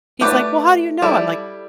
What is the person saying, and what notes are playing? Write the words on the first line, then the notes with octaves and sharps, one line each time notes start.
He's, like, "Well, how do you know?" I'm, like,
A3 G4 B4 D5
G3 E4 A4